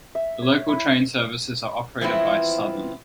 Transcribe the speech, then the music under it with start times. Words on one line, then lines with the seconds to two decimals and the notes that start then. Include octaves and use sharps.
The local train services are operated by Southern.
0.15 E5
0.42 C#5
0.69 E4
2.01 E3 F3 B3 C4 E4